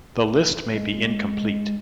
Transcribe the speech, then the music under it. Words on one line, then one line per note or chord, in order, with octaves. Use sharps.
The list may be incomplete.
G#3